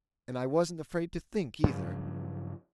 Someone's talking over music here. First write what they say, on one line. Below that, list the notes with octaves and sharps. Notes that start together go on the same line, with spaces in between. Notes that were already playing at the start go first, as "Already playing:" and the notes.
And I wasn't afraid to think either.
G2 C#3 F3 F#3